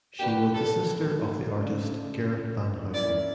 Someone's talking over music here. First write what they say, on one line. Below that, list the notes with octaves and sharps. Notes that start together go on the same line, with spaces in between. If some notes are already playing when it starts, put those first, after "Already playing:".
She was the sister of the artist Gerrit van Houten.
A#3 D4 F#4 G4 B4
A4
C#3 F3 A3 D4
A#3 C#4 E4 D5